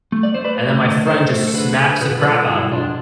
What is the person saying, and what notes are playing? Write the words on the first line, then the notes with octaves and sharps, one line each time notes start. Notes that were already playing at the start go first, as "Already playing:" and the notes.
and then my friend just smacks the crap out of him,
A3
D5
A3 C5
B4 D5
A3
D3
D3 A4 C5
A3
A4
D3 G#4 B4
D3
B2 G#4 B4
B4
G#3 F4 A4
B2 E4 G#4
B2 D4 F4